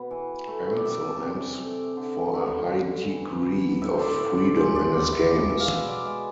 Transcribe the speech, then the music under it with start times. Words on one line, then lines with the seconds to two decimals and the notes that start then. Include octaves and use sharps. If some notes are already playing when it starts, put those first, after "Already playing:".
Ancel aims for a high degree of freedom in his games.
Already playing: B2 B3
0.11 E3
0.47 A3
0.77 D5
0.85 C3 E5
1.23 C3
1.59 A3
1.97 D3
2.33 D3 E5
2.71 A3
3.08 E3
3.45 B3
3.82 A2 E5
3.93 C5
4.01 D5
4.19 A2 E5
4.37 D5
4.56 G#3 C5
4.75 D5
4.93 B3 E5
5.13 E5
5.30 B2 D5
5.50 E5
5.60 F5
5.68 B2 E5
5.87 D5
6.04 G#3 E5